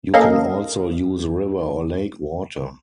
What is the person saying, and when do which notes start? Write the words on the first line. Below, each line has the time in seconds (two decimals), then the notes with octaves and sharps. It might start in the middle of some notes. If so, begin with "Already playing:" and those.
You can also use river or lake water.
0.14 A#3 C#4 A4 A#4 D#5 F5